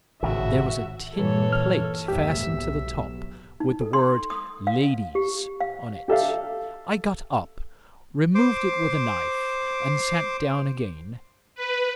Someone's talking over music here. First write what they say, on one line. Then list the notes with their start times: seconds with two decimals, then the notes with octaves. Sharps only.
There was a tin plate fastened to the top, with the word "LADIES" on it. I got up, removed it with a knife, and sat down again.
0.23 G#1 A2 C#3 F#4 E5
1.13 G2 A#2 E3 A4 C#5
1.53 F6
2.08 F#1 D#2 G#2 G4 E5
2.47 B1
3.60 D#4
3.81 A4
3.93 C6
4.30 D#6
4.67 F5
5.15 G4
5.61 F5
6.08 G4 A4 E5 F5
8.35 C5 D6
11.55 B4